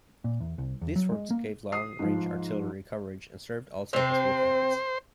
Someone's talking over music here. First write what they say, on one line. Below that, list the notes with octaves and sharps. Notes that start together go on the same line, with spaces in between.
These forts gave long-range artillery coverage and served also as look-outs.
A#2
E2
C2
E2
F#3
G#3
A#3
D#6 C7
G#2 F3
C3 C4 C5